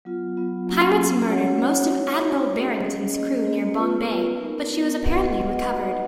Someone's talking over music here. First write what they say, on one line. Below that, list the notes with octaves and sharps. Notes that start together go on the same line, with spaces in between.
Pirates murdered most of "Admiral Barrington"s crew near Bombay, but she was apparently recovered.
F#3 B3 F4
F#3 B3 F4
F#3 A#3 C#4 F#4
F#3 A#3 C#4 F#4
C#4 F#4 C#5 F#5
C#4 F#4 C#5 F#5
D#4 F#4 C#5
D#4 F#4 C#5
C#4 G#4 D#5
C#4 G#4 D#5
A#3 C#4 G#4 D#5
A#3 C#4 G#4 D#5
B3 F4 B4
B3 F4 B4
B3 D#4 A#4
B3 D#4 A#4
B3 F#4 B4 D#5 F#5
B3 F#4 B4 D#5 F#5
D#4 F#4 B4 D#5 F#5